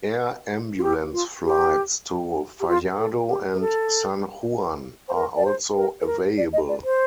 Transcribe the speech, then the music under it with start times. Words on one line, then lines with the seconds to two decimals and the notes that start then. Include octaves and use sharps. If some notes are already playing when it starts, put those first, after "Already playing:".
Air ambulance flights to Fajardo and San Juan are also available.
0.78 F4
0.83 G4
1.13 F4
1.45 G4
2.60 G4
2.68 F4
2.98 A4
3.29 G4
3.54 A#4
3.60 A4
5.08 C5
5.14 A#4
5.36 D5
5.45 C5
5.76 A#4
6.01 A4
6.07 A#4
6.37 D5
6.53 D#5
6.69 D5
6.84 C5